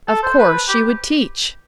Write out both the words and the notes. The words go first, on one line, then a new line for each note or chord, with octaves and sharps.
Of course she would teach!
A4
C5
B4
G4